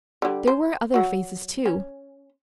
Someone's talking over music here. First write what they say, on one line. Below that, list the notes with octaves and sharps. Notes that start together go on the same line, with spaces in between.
There were other phases, too.
D3 G3
C5
F#3 F#4
C#4